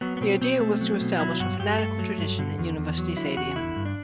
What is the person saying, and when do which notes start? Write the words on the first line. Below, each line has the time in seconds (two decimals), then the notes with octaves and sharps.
The idea was to establish a fanatical tradition at University Stadium.
0.01 F#3 B3
0.17 B3
0.21 B2 C4
0.41 B2 C4
0.60 A3
0.81 F#3
1.01 B2
1.19 F#3 E4
1.39 G2 F#4
1.59 G2 G4
1.79 A3 A4
1.99 F#3
2.18 G2
2.39 D3
2.58 E2
2.77 E2
2.98 F#3
3.17 D3 E4
3.36 E2 F#4
3.56 D3 E4
3.76 G2
3.85 D4